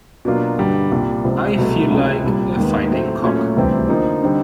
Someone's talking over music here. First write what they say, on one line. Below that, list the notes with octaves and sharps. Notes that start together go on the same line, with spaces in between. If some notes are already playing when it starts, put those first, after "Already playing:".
I feel like a fighting cock.
B2 F#3 A#3 D4 F4
G2 D3 G3
C2 A#2 G3
C#2 C3 F3
C2 B2 F#3 A3
C#2 C3 F3 G#3
C2 A#2 G3
D#2 D#3 G#3 B3
A2 F#3 A3 C4
A#2 F#3 A3 C#4
D2 C3 E3 G3 C4
D3 F3 A#3 D#4
D3 G3 C4 D#4